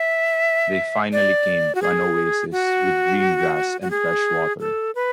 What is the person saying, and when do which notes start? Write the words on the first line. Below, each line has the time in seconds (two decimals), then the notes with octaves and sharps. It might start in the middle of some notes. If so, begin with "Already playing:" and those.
They finally came to an oasis with green grass and fresh water.
Already playing: E5
1.12 D5
1.75 F#4
1.82 G#4
2.52 F#4
3.82 F#4
3.91 G#4
4.60 A4
4.95 B4